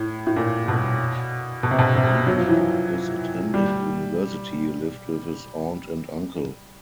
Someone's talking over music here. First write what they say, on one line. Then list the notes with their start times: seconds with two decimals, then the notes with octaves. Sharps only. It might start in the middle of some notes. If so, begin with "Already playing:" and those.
When Blahnik was attending university, he lived with his aunt and uncle.
Already playing: A2
0.27 A2
0.36 A#2
0.68 B2
1.63 B2
1.71 C3
1.79 B2
1.95 C3
2.27 F#3
2.38 F3
2.49 E3
2.59 F3
3.54 G3